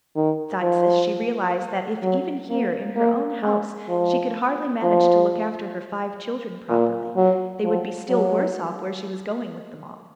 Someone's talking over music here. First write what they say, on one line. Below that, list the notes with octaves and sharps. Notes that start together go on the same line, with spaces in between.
Besides this, she realized that if even here in her own house she could hardly manage to look after her five children properly, they would be still worse off where she was going with them all.
D#3
F3
F#3
A#3
A#3
G#3
F3
F3
A#2
F#3
F3
F#3